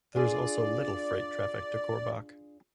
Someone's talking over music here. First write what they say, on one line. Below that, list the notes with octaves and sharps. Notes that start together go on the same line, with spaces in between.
There is also little freight traffic to Korbach.
D4 F4 G#4 D5